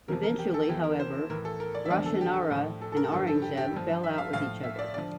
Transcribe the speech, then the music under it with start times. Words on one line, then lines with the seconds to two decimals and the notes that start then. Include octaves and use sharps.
Eventually, however, Roshanara and Aurangzeb fell out with each other.
0.08 E2 C3 F3 A#4
0.23 A#4
0.39 G4
0.54 A4
0.69 E2 E3 G4
0.84 A#4
1.00 C5
1.30 A2 E3 A#4
1.45 A4
1.60 A#4
1.75 D5
1.85 E5
1.90 E2 D3 F3 D5
2.06 A4
2.21 G4
2.36 A4
2.51 A2 F3
2.82 A4
2.92 A4
2.97 A#4
3.12 G2 D3 F3 A4
3.27 A4
3.42 G4
3.57 G4
3.73 G2 F3
4.04 E5
4.18 F5
4.33 A2 F3 F5
4.63 E5
4.79 D5
4.94 D3 F3 D5